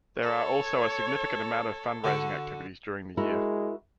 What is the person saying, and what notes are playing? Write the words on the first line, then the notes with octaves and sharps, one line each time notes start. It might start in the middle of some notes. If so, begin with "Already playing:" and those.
There are also a significant amount of fund-raising activities during the year.
A4 C#5
D3 F#4
G#3 E4 F#4 A#4